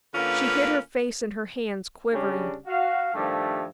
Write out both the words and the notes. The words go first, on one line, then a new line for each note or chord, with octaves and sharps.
She hid her face in her hands, quivering.
D3 A#3 C#4 F4 A#4 B4
C#3 G3 C#4 D4
F#4 F5
G2 D#3 F3 G3 A3